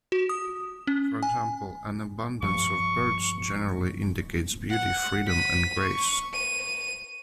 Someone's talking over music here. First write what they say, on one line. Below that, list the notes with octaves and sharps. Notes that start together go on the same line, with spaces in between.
For example, an abundance of birds generally indicates beauty, freedom and grace.
F#4
D#6
C#4
G#5
G2 F3 C#6
F#5
B6 D#7
C#6
D#7